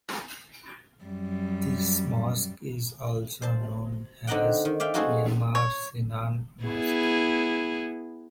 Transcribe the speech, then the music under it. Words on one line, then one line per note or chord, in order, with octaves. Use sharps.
This mosque is also known as Mimar Sinan Mosque.
F#2 G3
C5 A5
D3 C4 D#4 D#5 F#5 G5
D#3
D5 E5 F5 G5
D#4 F4 F#4 G#4 A4 C5
C#5
B3 E4 G#4